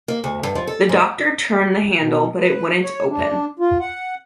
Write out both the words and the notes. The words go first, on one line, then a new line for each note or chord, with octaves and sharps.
The Doctor turned the handle but it wouldn’t open.
A#3
D2
G2
F3
A4
G#2
B2
B4
C#5
D4
F4
F#5